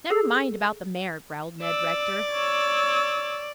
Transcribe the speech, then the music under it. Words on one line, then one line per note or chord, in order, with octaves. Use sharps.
"Never mind about the mare," growled Ned Rector.
G#4 A4 E6 C7
D5 E6
C#5 E6